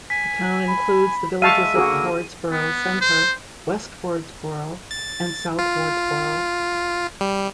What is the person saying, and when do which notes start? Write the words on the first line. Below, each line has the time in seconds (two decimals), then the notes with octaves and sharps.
The town includes the villages of Wardsboro Center, West Wardsboro and South Wardsboro.
0.10 G#5 B6
0.68 B5
1.42 G#3 E5 F5 A5 C#6 E6 D#7
1.75 D3 A#3 F#4 G#4 A#4
2.52 B3
3.01 C5
4.91 A6
5.59 F4
7.21 G3